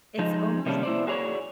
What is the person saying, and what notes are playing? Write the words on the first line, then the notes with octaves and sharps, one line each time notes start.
it's almost more
F3 G#3 D#4
C3 D#3 G3 A#3 C#4 D4
E4 C5 D5
F#4 G#4 C#5 D5